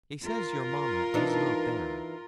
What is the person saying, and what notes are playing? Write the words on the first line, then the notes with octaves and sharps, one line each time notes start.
He says your mamma is not there.'
F4 A#4
E3 D4 D#4